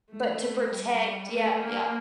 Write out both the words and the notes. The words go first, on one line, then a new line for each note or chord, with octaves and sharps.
But, to protect, yeah, yeah,
A3
G3
A3
A#3